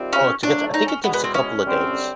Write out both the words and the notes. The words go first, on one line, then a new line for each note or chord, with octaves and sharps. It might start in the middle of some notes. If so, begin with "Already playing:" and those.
oh, to get to I think it takes a couple of days,
Already playing: C3 D#3 G3 C4 F4
C#4
F2 C#3 F#3 A3 D4
D#4
C#4
E2 B2 G#3 B3
B3
C4
C#4
F#2 D3 G3 C4